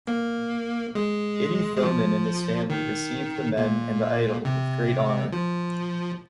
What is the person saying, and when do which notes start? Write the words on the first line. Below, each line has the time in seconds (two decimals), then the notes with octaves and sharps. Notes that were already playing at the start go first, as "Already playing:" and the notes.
Itty Thommen and his family received the men and the idol with great honour.
0.07 A#3
0.95 G#3
1.77 G#3
1.83 F3
2.70 D#3
3.57 A#2
4.45 C3
5.32 F3